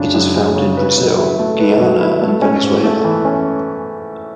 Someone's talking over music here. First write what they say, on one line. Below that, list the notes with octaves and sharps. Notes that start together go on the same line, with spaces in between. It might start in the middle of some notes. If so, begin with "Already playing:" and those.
It is found in Brazil, Guyana and Venezuela.
Already playing: F#2 C#3 G#3 D4
F#2
G#3
C#3
B4
F#3
E4
A3
B4
F#3
E4
A3
C#4
G#2
A3
E3
C#4